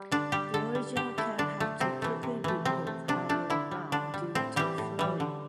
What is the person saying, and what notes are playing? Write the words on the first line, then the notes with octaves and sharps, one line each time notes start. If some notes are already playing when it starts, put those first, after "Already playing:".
The original camp had to quickly be move higher ground due to flooding.
Already playing: G3
D3 D4
G3 G4
D3 A4
G3
D3 G4
A3 E4
D3 D4
A3
C3 C4
E3 A3
C3
E3 A3
C3 C4
A3
C3 D4
A3 D4
D3 E4
G3
D3 D4
G3
A2 C4
E3 G3 G4
A2
E3 G3
D3